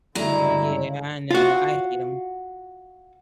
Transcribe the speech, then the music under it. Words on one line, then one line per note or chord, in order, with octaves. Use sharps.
Yeah, I know, no, I hate ‘em.
G2 D3 F#3 G#3 A3 E4 A#5
F4 F#4